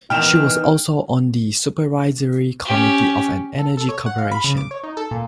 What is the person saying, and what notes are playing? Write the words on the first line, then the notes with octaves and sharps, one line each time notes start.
She was also on the supervisory committee of an energy corporation.
D#3 E3 B3 D#4 G5 F6 E7 F7
C#4 G4
A4
A4
C#5
F#5
F5
B5
C#3
D6
C#5
D#4
A4
A#2